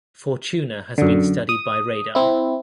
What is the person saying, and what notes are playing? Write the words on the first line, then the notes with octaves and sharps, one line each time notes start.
Fortuna has been studied by radar.
F#2 D3
D#6
C4 E4